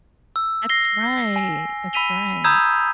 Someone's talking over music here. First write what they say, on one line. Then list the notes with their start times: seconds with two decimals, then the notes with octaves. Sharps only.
That's right, that's right.
0.36 E6
0.69 A#6 C7 G7
1.36 G#5
1.93 B5 E6 B6 D#7 F7 G7
2.44 A#5 B5 D#6 E6 G6 G#6